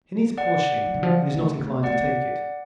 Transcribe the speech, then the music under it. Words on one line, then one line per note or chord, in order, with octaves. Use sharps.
He needs polishing and is not inclined to take it.
D5 F#5
F3
D3
F3
A3
A3
A3 D5 F#5
B3